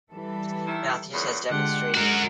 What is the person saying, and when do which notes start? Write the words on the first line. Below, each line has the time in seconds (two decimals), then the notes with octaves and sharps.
Matthews has demonstrated.
0.10 E3 G3 A4
0.65 D#3 E4
1.11 E2 A#2 C#3
1.51 D3 G#3 F4 G4 F#5
1.94 G#3 F#4 A#4